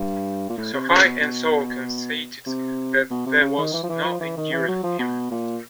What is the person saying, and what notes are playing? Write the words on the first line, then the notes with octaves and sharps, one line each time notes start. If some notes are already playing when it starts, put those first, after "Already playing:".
So high and so conceited that there was no enduring him!
Already playing: G2
A#2
A2
C3
C#3
B2
B2
C3
B2
C3
C#3
D#3
E3
F3
E3
F3
E3
D#3
E3
F#3
F3
B2
A#2